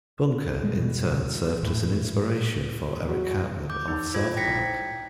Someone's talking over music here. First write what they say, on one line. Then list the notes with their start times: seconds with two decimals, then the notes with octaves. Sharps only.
Bunker, in turn, served as an inspiration for Eric Cartman of "South Park".
0.64 A#2 G3 G#3
0.76 B2
1.63 A2
3.08 F#3
3.70 D6 G6
3.88 D#4
4.14 F4 C5 G#6
4.36 E4 G5 G#6 A#6 B6 C#7